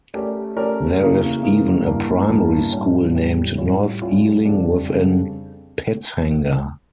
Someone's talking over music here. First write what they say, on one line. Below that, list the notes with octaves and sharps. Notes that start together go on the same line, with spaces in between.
There is even a primary school named North Ealing within Pitshanger.
A3 C#4 G4 A#4 D5
A3 C#4 G4 A#4 D5
C#3 E3 A#3
C#3 E3 A#3
G2 E3 A#3
G2 E3 A#3
A2 G3 C#4
A2 G3 C#4
A2 G3 C#4 F4 C#5
A2 G3 C#4 F4 C#5
F2 C#3 G3 D4 A4
F2 C#3 G3 D4 A4